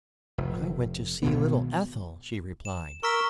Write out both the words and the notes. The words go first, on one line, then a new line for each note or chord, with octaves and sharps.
"I went to see little Ethel," she replied.
F1
G#1 D#2 B2 B3
E7
A#4 C#6 E6 B6 E7